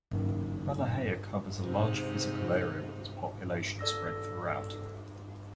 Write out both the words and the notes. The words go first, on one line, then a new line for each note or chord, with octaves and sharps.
Ballyhea covers a large physical area with its population spread throughout.
F#1 D#3
G#2 C3 D#4
A4 D5 E6 A#6